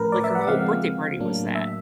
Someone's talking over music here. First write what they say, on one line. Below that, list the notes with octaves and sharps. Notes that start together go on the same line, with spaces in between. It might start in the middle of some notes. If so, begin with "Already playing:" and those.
like, her whole birthday party was that.
Already playing: A2 F3 A3 C#4 A#4 B4
D5
E5
F#5
C#3 F3 G#3 C4 F5
A2 F#3 A#3 D4
E5